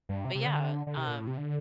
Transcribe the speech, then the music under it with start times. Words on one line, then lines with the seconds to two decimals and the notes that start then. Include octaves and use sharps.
But yeah, um
0.09 G2
0.25 C3
0.35 C3
0.46 D3
0.87 D3
0.97 C3
1.07 A#2
1.18 A2
1.27 C3
1.38 D3